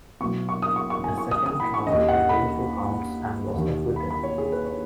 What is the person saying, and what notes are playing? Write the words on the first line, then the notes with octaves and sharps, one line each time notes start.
In a second trial on those two counts and was acquitted.
B1 B2 C#6
C#6
D#6
C#6
C#6
G#5
C#6
D#6
D#6
B5
C#6
D#2 C#3 D#5
F#5
B5
D#2 D#3
B5
B5
C#5
G#4
B4
C#5